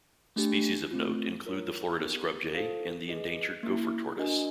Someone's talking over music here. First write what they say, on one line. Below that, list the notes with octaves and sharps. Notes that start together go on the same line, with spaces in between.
Species of note include the Florida scrub jay and the endangered gopher tortoise.
A3 D4 G4
A3 C4 F4
F4 A#4 C#5
B3 D#4 G4 A#4
F4 A4 C5 F5
G#4 B4 D#5
A#3 C#4 E4
D4 F#4 A#4 D#5 G#5